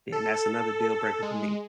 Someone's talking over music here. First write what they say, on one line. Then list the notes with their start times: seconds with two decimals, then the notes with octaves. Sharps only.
then that's another deal breaker for me.
0.12 A4
1.22 G#3